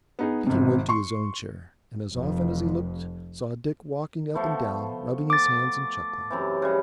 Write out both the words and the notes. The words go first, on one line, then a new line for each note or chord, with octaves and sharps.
Binkie went to his own chair, and as often as he looked saw Dick walking up and down, rubbing his hands and chuckling.
B3 D#4 G#4
G#1 C3
C6 C#6
F1 F2
F3 A3 B3
D6 A6
F#2 C3 E3
C#3 G3